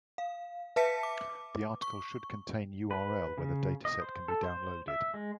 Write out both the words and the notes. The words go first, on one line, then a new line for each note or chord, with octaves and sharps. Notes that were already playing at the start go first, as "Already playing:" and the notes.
The article should contain URL where the dataset can be downloaded.
F5
B4 E5 A5 B6 C#7
D6
C#6
B4
C#3
D#5
C5
A4
C5
E5
G#3